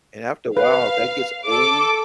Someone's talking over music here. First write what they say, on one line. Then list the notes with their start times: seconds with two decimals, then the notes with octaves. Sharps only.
And after a while, that gets old,
0.57 B4 F5
1.47 A4 D6